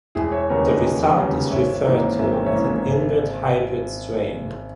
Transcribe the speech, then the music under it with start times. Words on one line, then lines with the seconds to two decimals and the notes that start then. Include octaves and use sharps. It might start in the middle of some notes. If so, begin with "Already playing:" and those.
The result is referred to as a inbred hybrid strain.
0.15 E1 E4 G#4
0.32 C#5 E5
0.49 D#2 C#3 G3 B3 A#4 C#5
0.66 B4 D#5
0.84 E1
1.17 D#2 C#3 G3 B3
1.51 G#1 C#5 E5
1.85 G#2 E3 A#3 C#4
2.19 G#1 E5
2.32 G5
2.46 C#5 E5
2.52 G#2 E3 A#3 C#4
2.86 G#1